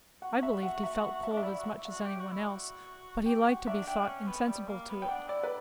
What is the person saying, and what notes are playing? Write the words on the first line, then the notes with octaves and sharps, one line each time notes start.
I believed he felt cold as much as any one else, but he liked to be thought insensible to it.
F#4 F#5
E5
F#5
E5
F#5
E5
D4
E5
E4 D5
F#4
E5
F#4 E5
G4
F#4
E4
F#4
G4 G5
F#4 F#5
D4 E5
D4 G5
C#4
B3
G3
A#3
B3
G5
D4 F#5
E4 D5
B4